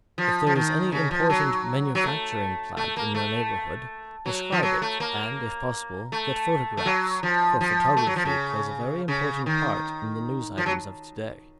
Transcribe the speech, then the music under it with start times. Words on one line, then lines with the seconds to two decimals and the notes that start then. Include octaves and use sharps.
If there is any important manufacturing plant in your neighborhood describe it and, if possible, get photographs, for photography plays a very important part in the news items of to-day.
0.18 F3
0.47 F3
0.55 D#3
0.92 C#3
1.11 F3
1.30 F#3
1.95 F#3
2.04 A3
2.77 A3
2.97 A#3
3.14 A3
4.26 F#3
4.52 F3
4.63 F#3
4.82 A3
5.00 A#3
6.12 A3
6.77 A3
6.85 F#3
7.23 F3
7.61 F3
7.97 A3
8.07 F#3
8.16 F3
8.25 C#3
9.08 C#3
9.46 D#3
10.57 F3
10.66 F#3